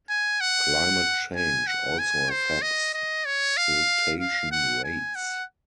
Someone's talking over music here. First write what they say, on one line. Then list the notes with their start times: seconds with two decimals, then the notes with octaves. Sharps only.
Climate change also affects siltation rates.
0.10 G#5
0.41 F#5
1.36 G#5
1.67 F#5
1.99 G#5
2.31 C5
2.62 D#5
2.94 D#5
3.26 C#5
3.57 F5
4.20 F5
4.51 F#5
4.84 G#5
5.15 F#5